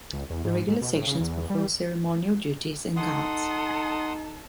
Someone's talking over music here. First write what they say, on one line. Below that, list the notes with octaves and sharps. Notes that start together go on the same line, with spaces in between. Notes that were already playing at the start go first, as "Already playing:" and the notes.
The regular sections perform ceremonial duties and guards.
C#2
E2
G#2
G#2
B2
A2
C#3
E2
G3
D#4 A4 F#5 C6 D#6